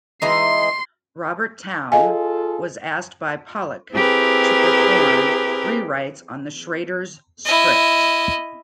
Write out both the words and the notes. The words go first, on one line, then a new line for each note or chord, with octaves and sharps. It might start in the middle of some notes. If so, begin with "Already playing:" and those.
Robert Towne was asked by Pollack to perform rewrites on the Schraders' script.
E3 G#3 D#4 C6 C7
F4 G#4 A4 D#5 F5 G#5
C4 E4 G4 G#4 A#4 B4
E4 D#5